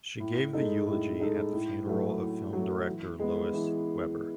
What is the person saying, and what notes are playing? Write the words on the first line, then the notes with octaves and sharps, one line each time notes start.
She gave the eulogy at the funeral of film director Lois Weber.
A2
G#3 D#4 A4
A2
G#3 D#4 A4
A2
F#3 A3
A2
F#3 A3
E3
G#3 B3
E3